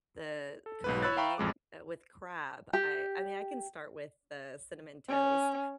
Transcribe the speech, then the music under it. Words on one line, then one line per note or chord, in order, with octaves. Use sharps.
the curry, uh, with crab, I I mean I can start with the cinnamon toast,
A4
B1 G#2 B4
C#5 B5 E6 F#6 A6
E5 F5 G5 A#5 B5 C#6
A1 F2 G#3 D6
G4
C#4